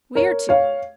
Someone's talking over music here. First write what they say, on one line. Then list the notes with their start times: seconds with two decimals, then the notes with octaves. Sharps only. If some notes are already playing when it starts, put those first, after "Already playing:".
We are two.
0.15 A#4 C#5
0.49 C#5 F5